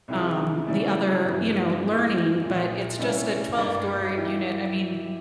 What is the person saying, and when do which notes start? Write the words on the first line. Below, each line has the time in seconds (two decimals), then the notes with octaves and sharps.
um, the other, you know, learning, but it's just a twelve-door unit. I mean,
0.08 C2 C3 E3 G#3
0.66 C#3 E3 G3 C#4 E4
1.25 G2 E3 G3 C4
1.83 F2 E3 G#3
2.41 C2 A#2 F3
2.99 C3 G3 A#3 C#4 E4
3.58 G#1 G2 G3 A#3
4.16 E3 A#3 E4 G4